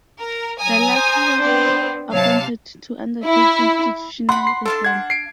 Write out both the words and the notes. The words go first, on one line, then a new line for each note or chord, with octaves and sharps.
The latter was appointed to undertake institutional reform.
A#4
F#3 G#5 A#5 D#6
C5
B3 C4 D4
C3 F#3 F5 A5
E4
F#5 B5 C6
C7
D4 A4 F5 A5
F#5 G#6
C7 D7